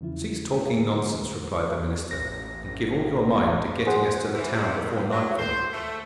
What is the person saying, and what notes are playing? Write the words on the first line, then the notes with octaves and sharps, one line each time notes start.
'Cease talking nonsense,' replied the minister, 'and give all your mind to getting us to the town before nightfall.'
E2 C#3 F3 E4
D3
A1 A#6
G#4 C5 F#5
E3
C3
G2
F#3
C5
A3